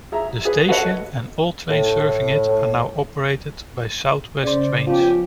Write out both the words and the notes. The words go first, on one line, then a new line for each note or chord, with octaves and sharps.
The station and all trains serving it are now operated by South West Trains.
G#4 E5 A#5
G#4 B4
F#4 A4 B4 C#5 D#5 F#5
A2
C#3 C5 D5
F3 B3 C#4 G4